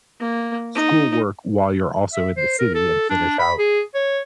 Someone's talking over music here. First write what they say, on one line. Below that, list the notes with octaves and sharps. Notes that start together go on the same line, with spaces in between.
school work while you're also in the city, and finish out
A#3
D#4
E5
C5
A#4
A4
D4
B5
G#4
C#5